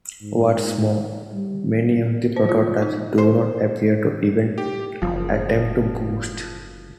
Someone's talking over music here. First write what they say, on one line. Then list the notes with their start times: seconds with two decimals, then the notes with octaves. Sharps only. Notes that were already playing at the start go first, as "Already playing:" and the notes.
What's more, many of the prototypes do not appear to even attempt to boot.
0.22 G#2
1.33 G3
2.36 C5
2.49 F4
2.82 D#4
3.18 C5
4.58 G4
5.02 F#1 F3